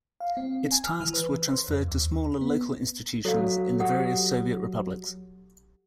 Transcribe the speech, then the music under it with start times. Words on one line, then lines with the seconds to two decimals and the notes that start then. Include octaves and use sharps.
Its tasks were transferred to smaller, local institutions in the various Soviet republics.
0.20 F5
0.37 C4
0.72 G#5
0.84 F6
1.01 E3
1.14 B4
1.48 C5
1.68 F2
1.88 D#2
2.41 B3
3.25 F#3 A4 F5
3.80 G4 F#5 D#6